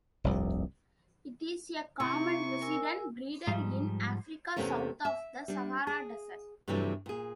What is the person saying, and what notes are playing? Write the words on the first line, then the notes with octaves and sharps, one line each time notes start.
It is a common resident breeder in Africa south of the Sahara Desert.
F1 C2 G2
C3 E4 C#6
A#4 G#5 E6
G#2 F3 G3
E2 G2 C3 A3 C#4 A#4
E5
G3 D4
G#4
G2 C3 E3 F#3 G3 A3
A#2 G#4